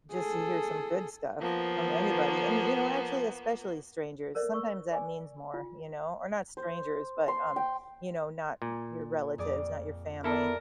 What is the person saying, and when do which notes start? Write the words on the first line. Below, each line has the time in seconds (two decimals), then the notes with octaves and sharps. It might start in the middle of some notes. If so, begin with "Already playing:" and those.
just to hear some good stuff from anybody and, you know, actually, especially strangers, sometimes that means more, you know, or not strangers, but, um, you know, not your relatives, not your family.
0.13 G#4 A4
1.41 F3 A#3 B3
4.35 A4 A#4 C5 D5 E5
4.54 C#6 E6
4.92 D5 G#5 D6
5.54 F4
6.57 C5
7.28 C6
7.56 G5
8.62 A#2
9.38 F2 G#4 D5
10.24 B3 E4 A4 A#4 D5 A5 A6